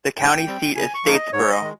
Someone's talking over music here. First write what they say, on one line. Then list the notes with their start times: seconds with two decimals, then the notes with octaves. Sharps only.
The county seat is Statesboro.
0.18 G#2 G5
0.47 G3 C4
0.76 C#3 G#5
0.94 C#6
1.05 F3 A#3 D#4
1.14 D#5
1.32 G#2 C#5
1.52 D#5
1.62 D#3 G#3